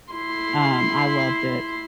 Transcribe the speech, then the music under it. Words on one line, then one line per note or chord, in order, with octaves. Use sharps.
Um, I loved it.
E4 C6